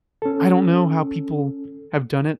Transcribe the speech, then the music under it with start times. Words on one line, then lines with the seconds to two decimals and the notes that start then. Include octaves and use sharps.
I don't know how people have done it.
0.22 C#4 A4